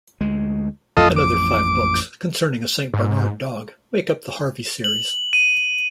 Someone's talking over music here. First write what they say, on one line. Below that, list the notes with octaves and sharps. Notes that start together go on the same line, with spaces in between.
Another five books concerning a Saint Bernard dog make up the "Harvey" series.
D2 G#3
A1 F2 F4 A4 D#5
D6
G#2
F#7
D#7